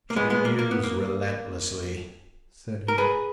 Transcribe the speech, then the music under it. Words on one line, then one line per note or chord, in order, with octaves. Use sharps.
"She mews relentlessly," said he.
A#3
G#3 B3
G#3 B3
A#3
A#3
B3
A#3
A#4
G#4 B4